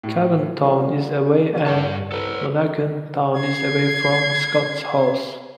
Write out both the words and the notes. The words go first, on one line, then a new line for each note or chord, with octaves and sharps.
Cavan town is away and Monaghan town is away from Scotshouse.
A2 G3
D3 F4
B2 D3 C#4 D#7
G2 G4 D5 F#5 A5 C#6
C2 A4 B4
G#6 C7